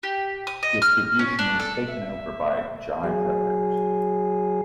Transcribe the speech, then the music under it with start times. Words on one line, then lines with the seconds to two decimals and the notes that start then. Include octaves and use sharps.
Distribution was taken over by Jive Records.
0.03 G4
0.47 D#6
0.63 D#5
0.82 F6
1.19 C#4
1.39 D4
1.60 A4
1.88 E5
3.04 F#3 G#4